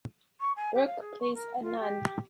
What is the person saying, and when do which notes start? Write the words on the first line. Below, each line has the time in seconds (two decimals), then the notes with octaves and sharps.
Burke plays a nun.
0.40 C#6
0.56 G#5
0.74 G4
0.86 F5
1.00 G#4
1.20 C#6
1.34 A#4
1.61 F4
1.79 G4